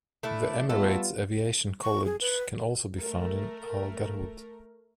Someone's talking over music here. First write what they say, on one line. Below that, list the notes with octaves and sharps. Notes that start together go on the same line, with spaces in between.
The Emirates Aviation College can also be found in Al Garhoud.
A3 D4 E4
G3 A3 B3 F4 A4
C#6
G#4
B4
A3 A#4